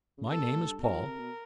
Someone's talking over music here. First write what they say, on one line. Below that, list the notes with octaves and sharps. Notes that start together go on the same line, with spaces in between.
My name is Paul.
C#3
C3 A4
A#2
B2
A2
G2
B2 A#4
F3
C3
B2